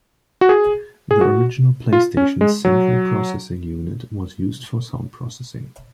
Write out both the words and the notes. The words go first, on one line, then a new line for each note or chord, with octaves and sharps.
The original PlayStation's central processing unit was used for sound processing.
F#4
G#4
G#4
F#4
F4
C#4
G#3
F#3